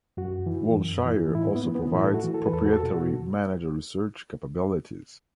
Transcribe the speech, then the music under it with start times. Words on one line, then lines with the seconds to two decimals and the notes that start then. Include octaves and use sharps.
Wilshire also provides proprietary manager research capabilities.
0.17 F#2 F#4
0.46 E3
0.77 F#2
1.06 E3
1.35 A2 E4
1.56 B3
1.65 E3
1.75 B3
1.94 A2 E4
2.04 A4
2.14 F#4
2.24 E3
2.34 A4
2.46 B4
2.53 E2 A4
2.66 F#4
2.73 A4
2.83 B2
2.93 F#4